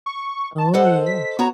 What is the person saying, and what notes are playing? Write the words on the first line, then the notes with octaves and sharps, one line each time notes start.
Oh, yeah.
C#6
A5
A4 C5 D#5 F#5
B6
B3 F#4 C#5 A#5